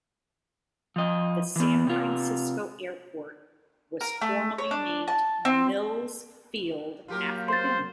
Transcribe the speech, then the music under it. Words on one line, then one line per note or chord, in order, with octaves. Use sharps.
The San Francisco airport, was formerly named Mills Field, after him.
F3 D#5
E3 B3
C3 F4
A#4
A3
C#5
D4
A5
C4
F#3 A#3 F4 G4 A#4
C5 C6 A6